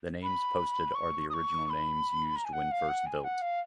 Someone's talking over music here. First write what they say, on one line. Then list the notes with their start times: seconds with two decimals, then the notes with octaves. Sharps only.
The names posted are the original names used when first built.
0.23 B5
0.95 C#6
1.30 D#6
1.34 C#6
1.65 C#6
1.70 B5
2.36 A#5
2.45 G#5
2.53 F#5
2.71 F5
2.89 F#5
3.06 G#5
3.24 F#5
3.41 F5